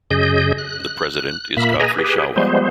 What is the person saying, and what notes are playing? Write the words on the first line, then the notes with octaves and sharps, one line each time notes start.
The president is Godfrey Shawa.
F#2 C#3 G#4 D#5 G6
F#6
A#2 A#3 E5 B5
G#4 B4 D#5 G#5 A#5
G4 G#4 B4
F3 G3 G#3 B3 C5